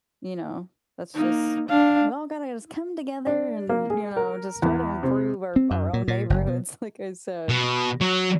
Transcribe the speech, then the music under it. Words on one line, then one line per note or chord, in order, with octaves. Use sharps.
you know, that's just "Well, gotta just come together and, you know, just try to improve our our own neighborhoods." like I said.
A#3 D#4
D4 F5
D4
A#3
G#4
A#4
E2
C3
C4
F#2
A#2
A#2
F#1
B2
B2
F#3